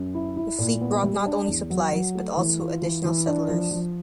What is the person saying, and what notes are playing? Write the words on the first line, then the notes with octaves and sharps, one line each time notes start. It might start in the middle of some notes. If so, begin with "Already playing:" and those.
The fleet brought not only supplies, but also additional settlers.
Already playing: F#2
E4
E4
A#2
B3
G3
D4
E2
F#3
F#3
A3
E3
F4
E3
E3
D4
F3
F3